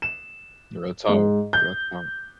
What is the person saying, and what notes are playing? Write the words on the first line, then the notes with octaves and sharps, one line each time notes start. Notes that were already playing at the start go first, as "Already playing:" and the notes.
Real talk, real talk.
E7
G#2
G6